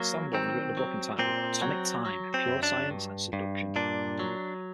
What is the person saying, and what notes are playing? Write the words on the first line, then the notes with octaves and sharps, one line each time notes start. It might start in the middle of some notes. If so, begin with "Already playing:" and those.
Sanborn has written a book entitled "Atomic Time: Pure Science and Seduction".
Already playing: F#3 A#3
D#3 C4
F#3
A#2 C4
F#3
F#3
C4
F#2
D4
G2
G2
A#2 D4
F#3